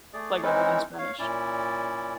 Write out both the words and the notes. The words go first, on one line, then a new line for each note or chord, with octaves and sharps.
Like other than Spanish?
A3 G#4 D5
E3 G#3 C4 C#4 D#4 E4
C#5 F5
A#2 C#4 E4 D5